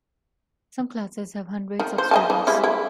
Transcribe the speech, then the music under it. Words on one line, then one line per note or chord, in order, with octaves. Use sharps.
Some classes have hundreds of students.
D#3
C5
D#5 G#5 A5
E3
G3 G#3 E4
E4